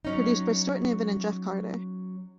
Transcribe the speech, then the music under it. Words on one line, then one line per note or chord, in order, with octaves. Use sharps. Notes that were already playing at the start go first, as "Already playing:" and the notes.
Produced by Stuart Niven and Jef Carter.
F#3 C#4 D#4